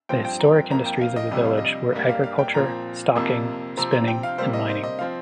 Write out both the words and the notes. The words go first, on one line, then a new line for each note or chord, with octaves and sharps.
The historic industries of the village were agriculture, stocking, spinning and mining.
G2 F3 C4 G5
G5
A#5
G5
F2 F3 A#3 A#5
G5
F5
D#5
F2 C3 G3 D#5
F5
D#5
G2 G3 A#3 D#5
F5
F5
G5
A#2 F3 C4 A#5
F2 C3 F3 A#3
C3 F3 C4 A#5
A#5
G5
F5
C3 G3 A#3 C5
D#5
C5
D#5
F3 C4 F5